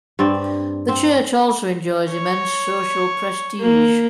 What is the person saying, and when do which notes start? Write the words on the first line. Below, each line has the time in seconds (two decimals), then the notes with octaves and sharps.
The Church also enjoys immense social prestige.
0.19 G2 C4 D5
0.88 C4
2.11 C#5
3.60 A#3